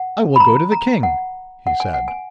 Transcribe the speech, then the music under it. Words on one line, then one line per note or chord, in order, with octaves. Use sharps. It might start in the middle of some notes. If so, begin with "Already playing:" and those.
"I will go to the king," he said.
Already playing: F#5
B5
A#5
A#5
F#5
F#5
G#5
F#5
G#5